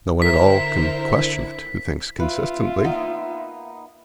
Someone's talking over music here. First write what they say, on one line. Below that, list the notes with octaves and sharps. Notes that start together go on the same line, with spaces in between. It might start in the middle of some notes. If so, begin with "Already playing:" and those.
'No one at all can question it who thinks consistently.'
D3 E4 A#4 C5 E5 B6
F4 B4 E5
A#3 B3 D#4